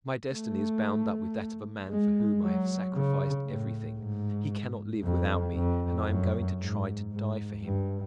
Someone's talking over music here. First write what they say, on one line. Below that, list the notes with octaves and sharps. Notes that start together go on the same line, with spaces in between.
My destiny is bound up with that of a man for whom I have sacrificed everything; he can not live without me and I am going to try to die for him.
A3
G#3
F#3
C#3
A2
G#2
F2
F2
F#2
G#2
G#2
G2